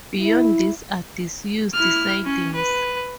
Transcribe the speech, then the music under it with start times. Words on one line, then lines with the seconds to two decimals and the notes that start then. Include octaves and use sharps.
Beyond this are disused sidings.
0.20 E4
1.74 E4 F6
2.25 C#4
2.55 B4